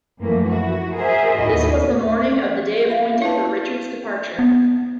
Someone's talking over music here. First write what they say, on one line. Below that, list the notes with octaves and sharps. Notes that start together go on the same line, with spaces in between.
This was the morning of the day appointed for Richard's departure.
F#2 E3 F3 A3 A#3
E4 F#4
G#4 A#4 C5 E5
D#2 A2 E4 F#4 D#5
F4 E5 F5
E4 B4 A5
B3 D#4